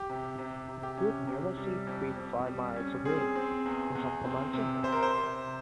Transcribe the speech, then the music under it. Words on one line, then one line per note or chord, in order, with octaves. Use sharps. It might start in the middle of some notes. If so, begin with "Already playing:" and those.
You would never see Pete five miles away, in some command center.
Already playing: G4
C3
C3
C3
G4
C#4
C3
G3
F2
F2
G3
C#4
C4 G#4
C4
E2
E2
C4
C3
C3 C5
A#4
C5
C3